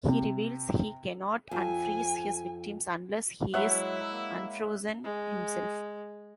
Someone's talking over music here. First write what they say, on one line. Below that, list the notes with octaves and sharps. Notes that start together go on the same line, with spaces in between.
He reveals he cannot unfreeze his victims unless he is unfrozen himself.
C3
F2 G#5
F#3 G#3 E4 C#5 E5 F#5
A#3
G#3